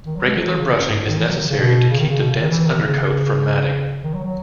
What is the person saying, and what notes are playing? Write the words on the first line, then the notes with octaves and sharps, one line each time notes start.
Regular brushing is necessary to keep the dense undercoat from matting.
D#3
F#3
G#3
F#3
E3
C#3
F#2
G#2
G#2
D#3
E3
F#3
D#3
C#3
B2
C#3
D#3
C#3
B2
C#3
D#3
E3
D#3
C#3
D#3
F#3
F#3